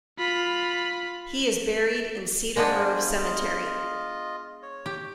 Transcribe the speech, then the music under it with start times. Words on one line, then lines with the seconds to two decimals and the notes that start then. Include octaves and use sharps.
He is buried in Cedar Grove Cemetery.
0.19 F4 B5
2.56 G#3 A#3 B3 D4 C5 G#5
3.13 F4 D#5
4.63 C#5
4.86 G4